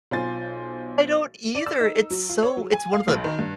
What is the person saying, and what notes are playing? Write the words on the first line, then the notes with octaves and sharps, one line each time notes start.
I don't either. It's so it's one of the
B1 F4 C5 G#5 C6 A6
D5
E6
D#4
F#3
F4
C#5
F#3
G#5
F5
B1
D#3
G2